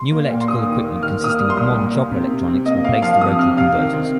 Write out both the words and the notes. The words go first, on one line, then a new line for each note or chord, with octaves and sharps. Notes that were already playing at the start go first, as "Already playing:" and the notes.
New electrical equipment consisting of modern chopper electronics replaced the rotary converters.
Already playing: C6
A#3
A#2
C6
A#3 D#6
D#2
A#3
D#3 F6
A#3 D#6
F6
G3
C6
C2 D#6
A#2
A#3
C3
C3
C4
A#3 D#5
A#3 F5
F3 F5
C3 D#6
C4 F6
C3 F5
D#3
C4